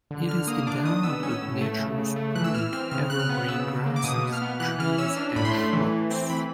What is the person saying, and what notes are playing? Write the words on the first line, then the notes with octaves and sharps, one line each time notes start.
It is endowed with natural spring, evergreen grasses, trees and shrubs.
D3
D3 F6
A#3 D#6
D4 D6
D#3 D#6
B3 E6
C#4 E6
A2
A3
C#3
C#3
A3
E3 F#6
E6
E3 F6
C4 F6
C#3 F6
C#3 F#6
F6
B3
C#3 E6
C#3
A#3
D6
B2 D#6
B2
F6
B3
E3 F#6
E3 F6
C#4 E6
D4 F6
A2 B5
C6
A3
E3
E3
C4
E3 B5